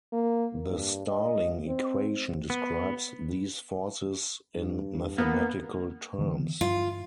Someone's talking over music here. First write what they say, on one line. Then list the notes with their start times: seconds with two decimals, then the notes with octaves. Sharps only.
The Starling equation describes these forces in mathematical terms.
0.12 A#3
0.67 G2
1.07 D#5
1.67 C4
2.50 B3
4.55 G2
5.18 A#3 B3
6.18 D3 E3 B3
6.61 G2 F4